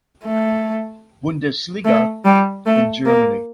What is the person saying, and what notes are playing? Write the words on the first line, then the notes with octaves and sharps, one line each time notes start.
Bundesliga in Germany.
A3
A3
G3
A3
A#3